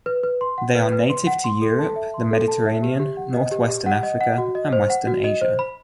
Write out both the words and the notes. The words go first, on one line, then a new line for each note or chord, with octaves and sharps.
They are native to Europe, the Mediterranean, northwestern Africa, and western Asia.
B4
B4
C6
F#5
B4
B4
C6
F#5
C6
A4
A5
E5
C6
A4
A5
E5
G4
G4
F#5
D#5
G4
G4
F#5
D#5
F#5
F#4
D#5
C5
F#5
F#4
D#5
C5
B5